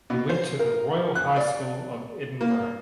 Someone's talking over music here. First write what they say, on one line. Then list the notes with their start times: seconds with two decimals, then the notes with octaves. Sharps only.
He went to the Royal High School of Edinburgh.
0.10 B2
0.29 C5
0.59 A#4
1.15 F#6
1.36 D5
2.41 A#3